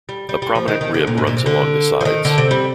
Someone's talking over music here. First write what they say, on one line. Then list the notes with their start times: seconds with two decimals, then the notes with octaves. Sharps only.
A prominent rib runs along the sides.
0.09 G3
0.29 G3
0.42 G3
0.55 F3
0.68 D#3
0.81 D#3
0.94 D3
1.07 A#2
1.18 G#2
1.27 A#2
1.37 C3
1.46 D3
2.01 F3
2.05 D#3
2.25 D3
2.38 C3
2.51 G3